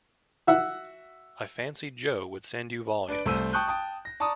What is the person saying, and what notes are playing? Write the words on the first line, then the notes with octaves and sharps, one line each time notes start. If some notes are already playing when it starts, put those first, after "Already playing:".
I fancied Jo would send you volumes.
F#4 E5 F#5
D4 B4 D5 D7
C2 A3 C5 E6 D#7
G5 A5 C#6 D#6 F#6 G6
G5 A5 D#6
A#6
D5 A5 A#5 C#6 D#6